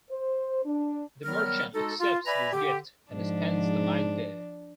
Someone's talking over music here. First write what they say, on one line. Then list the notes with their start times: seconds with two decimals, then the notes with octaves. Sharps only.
The merchant accepts this gift and spends the night there.
0.10 C5
0.64 D4
1.25 D#3 F#3 G3 B3 A#4 F6
1.75 G#3 D#4 F#4 A4
2.00 F4
2.26 B4 D5 E5 G#5 A#5 B5
2.53 D3 G4
3.12 G#2 F3 D4